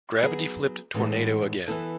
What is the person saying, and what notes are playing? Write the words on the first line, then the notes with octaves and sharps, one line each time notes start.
Gravity flipped Tornado again.
F#3 B3 D#4 G#4
A2 E3 G#3 B3 D#4
E3 B3 E4 A4